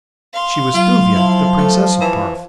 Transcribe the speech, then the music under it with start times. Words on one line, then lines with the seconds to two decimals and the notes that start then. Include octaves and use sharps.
She was Thuvia, the Princess of Ptarth.
0.34 F5 C6
0.74 F#3 F4
1.15 F3 E4
1.58 A3
2.00 E3